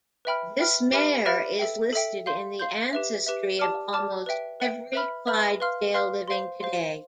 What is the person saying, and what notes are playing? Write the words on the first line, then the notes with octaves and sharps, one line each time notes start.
This mare is listed in the ancestry of almost every Clydesdale living today.
B4 E5 G5 B5 F6
B4 E5 G5 B5 F6
G4 B4 E5 B5 F6
G4 B4 E5 B5 F6
A4 E5 G5
A4 E5 G5
F5 C6 G6
F5 C6 G6
G4 B4 E5
G4 B4 E5
G4 D5 A5 D6 F6
G4 D5 A5 D6 F6
B4 E5 G5
B4 E5 G5
B4 E5 B5 F6
B4 E5 B5 F6
B4 F5 C6 F6
B4 F5 C6 F6
C5 F5 C6
C5 F5 C6